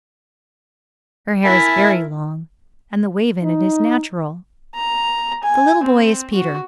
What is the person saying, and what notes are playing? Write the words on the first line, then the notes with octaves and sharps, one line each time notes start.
Her hair is very long, and the wave in it is natural. The little boy is Peter.
E4 A#4 E5 G#5 A5 B5
D#4
A#5
G#5
C4
F#4